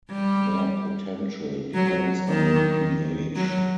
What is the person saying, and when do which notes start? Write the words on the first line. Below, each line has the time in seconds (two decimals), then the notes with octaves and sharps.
Their potential depends on pH.
0.11 G3
1.74 F#3
2.28 D#3
3.36 F#3